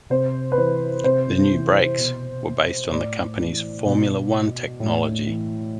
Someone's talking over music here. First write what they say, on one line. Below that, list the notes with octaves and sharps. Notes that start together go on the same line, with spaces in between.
The new brakes were based on the company's Formula One technology.
C3 C5
B4
E3 C5
C3 C5
E3
B2
A2 D5
E3
B2
A2
E3